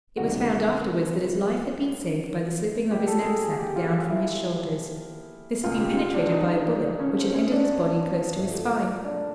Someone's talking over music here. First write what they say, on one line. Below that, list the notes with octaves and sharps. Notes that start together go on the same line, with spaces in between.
It was found afterwards that his life had been saved by the slipping of his knapsack down from his shoulders. This had been penetrated by a bullet, which had entered his body close to his spine.
D2 C3 D#3 G3 F#4
A#2 G3 G4
A4
G#4
G#4
G4
F4
F4
E4
C#2 B2 G#3 F4
G4
F4
D4
D#4
D4
C#4
C4
C#4
D4
G2 D3 F3 A3
D4